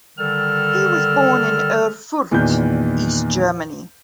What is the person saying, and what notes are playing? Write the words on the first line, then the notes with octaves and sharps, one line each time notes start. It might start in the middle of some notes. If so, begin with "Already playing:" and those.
He was born in Erfurt, East Germany.
D3 D#3 G3 A4 E6 F6
E2 A#2 D#3 E3 B4 G6